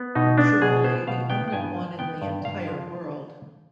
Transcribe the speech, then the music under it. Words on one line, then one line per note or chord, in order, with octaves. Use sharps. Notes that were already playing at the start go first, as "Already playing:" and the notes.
Surely the only one in the entire world.
Already playing: B3
B2 D#4
B3 D4
B2 G#4
B3 C5
B2 F5
B3 G5
G5
G2 G#5
F3
B3 G5
G2
G2 F5
F3